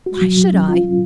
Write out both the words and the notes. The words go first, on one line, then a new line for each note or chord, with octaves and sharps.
"Why should I?"
F#4
F#3
F#3
C#4
F4
F#3